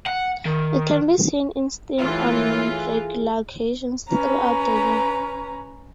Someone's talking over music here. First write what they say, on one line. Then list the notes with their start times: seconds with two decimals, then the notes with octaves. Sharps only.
It can be seen in steam on regular occasions throughout the year.
0.07 F#5
0.46 D#3
1.99 A2 E3 F#3 F4
2.58 G#4
4.10 C#4 B4 A#5